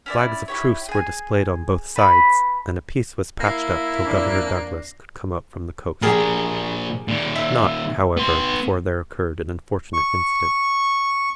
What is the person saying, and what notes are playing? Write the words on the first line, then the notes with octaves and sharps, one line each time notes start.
Flags of truce were displayed on both sides and a peace was patched up till Governor Douglas could come up from the coast. Not, however, before there occurred an unfortunate incident.
C#4 E4 D5
E4 G4 C#5
G#4 G#5
B4 A5 B5
A#3 E4 A#6 C7
F2 D4
A#2 F3 G4 G#4 A#4
A#2 D#3
E5
B3 C6
C#6